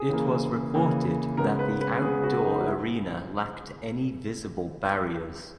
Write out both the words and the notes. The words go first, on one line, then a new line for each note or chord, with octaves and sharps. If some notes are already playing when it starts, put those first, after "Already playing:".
It was reported that the outdoor arena lacked any visible barriers.
Already playing: G#4
C#3 E3 A#3
C#3 E3 A#3
C#3 G#3 B3 A#4
B4
B4
C#3 G#3 B3 G#4
F#4
D#4
F#4
E4